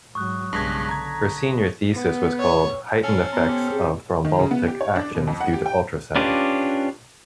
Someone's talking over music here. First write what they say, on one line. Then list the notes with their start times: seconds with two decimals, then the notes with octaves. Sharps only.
Her senior thesis was called "Heightened Effects of Thrombolytic Actions Due to Ultrasound".
0.15 G#2 F#3 C#6 D#6 F#6
0.53 B1 G2 C#3 G#3 A5 G#6 A#6 B6
0.89 D3 A#5 G#6
1.94 B3
2.39 C#5
3.04 C#4 F5 A5 E6
3.32 B3 A5 A#5 C6
3.47 G4 A4 C5
3.71 C4 G#4
4.25 D#3
4.39 C#3
4.51 B3
4.68 G4
4.81 C#5
4.96 D4
5.15 B2
5.27 F2
5.40 F#5
5.53 G4
5.66 G5
6.16 C#4 D4 F4 G4 B4